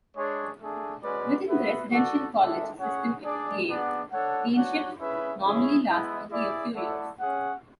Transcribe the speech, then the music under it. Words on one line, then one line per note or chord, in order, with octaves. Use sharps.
Within the Residential College system at Yale, deanships normally last only a few years.
G#3 D4 G#4 C#5
A3 D4 G#4
G#3 C#4 F#4 B4 D5
B3 F#4 B4 E5
F#4 A4 D5 F#5
G#3 D4 A4 E5
C#4 G#4 C#5 F#5
D4 G#4 D5
B3 D4 G#4 D5 F#5
D4 A4 C#5 F#5
D4 F#4 C#5 F#5
C#4 E4 G#4 B4 E5
C#4 E4 G#4 C#5
G#3 B3 E4
E4 G#4 D5
A3 E4 A4 D5 F#5
C#4 G#4 C#5 F#5